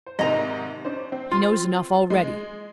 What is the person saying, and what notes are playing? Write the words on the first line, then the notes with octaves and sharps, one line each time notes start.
He knows enough already.
C5
G#2 C3 D#3 D#5 A#5
C#4 D4 C5
C4
F4
G#3